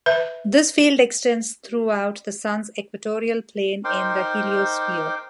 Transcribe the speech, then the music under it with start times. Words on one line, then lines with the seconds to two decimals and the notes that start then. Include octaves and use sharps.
This field extends throughout the Sun's equatorial plane in the heliosphere.
0.06 B4 E5
3.84 D#4 A#4 C5 G5 C6 D6